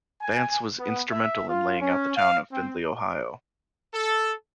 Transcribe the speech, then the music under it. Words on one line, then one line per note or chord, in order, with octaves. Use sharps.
Vance was instrumental in laying out the town of Findlay, Ohio.
G#5
B3
E5
F4
C#4
F5
C4
A4